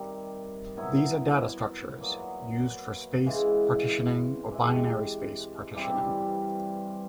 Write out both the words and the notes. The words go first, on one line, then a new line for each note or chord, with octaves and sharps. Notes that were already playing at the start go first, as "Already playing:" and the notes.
These are data structures used for space partitioning or binary space partitioning.
Already playing: C3 D#3 G3
F#3 B3 E4
A#2 F#3 B3
C#3 E3 G#3
C3 E3 G#3
G2 E3 G3 C4